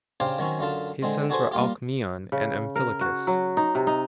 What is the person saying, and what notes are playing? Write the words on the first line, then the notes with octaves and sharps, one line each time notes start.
His sons were Alcmaeon and Amphilochus.
C#3 D4 G4 C5 F5 G5
D#3 F#3 C4 C#4
F#2 D3 F4 A5
D3 G#3 C4
D4 F#4 G#4 A4 B4 C5
G3 A#3 F4 G4
C#3
A#4
F#4
F#3
D#4
C3
D#4